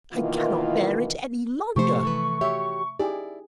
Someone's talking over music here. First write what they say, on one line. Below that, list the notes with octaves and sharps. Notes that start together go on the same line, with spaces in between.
I cannot bear it any longer!
B2 D#3 E3 A#3 E4 F4
C3 F3 A3 G4 A4 C5 C#6
E3 A4 B4
F#4 G4 C#5 E5
D#4 E4 G4 G#4 D5